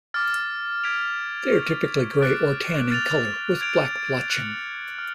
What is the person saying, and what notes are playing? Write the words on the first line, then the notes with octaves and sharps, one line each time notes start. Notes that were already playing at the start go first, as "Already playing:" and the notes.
They are typically grey or tan in color, with black blotching.
D6 F6 A6
G#6 B6 D7 F7
C#6 F6 A6
D6 F#6 A6 D7
F6 A6 F7
G#6 D7 F7
F#6 A6 C#7 F#7
F6